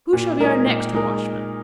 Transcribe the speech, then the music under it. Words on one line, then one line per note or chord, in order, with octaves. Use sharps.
Who shall be our next watchman?
A#2
G#3 D#4 A#4
A#2
G#3 D#4 A#4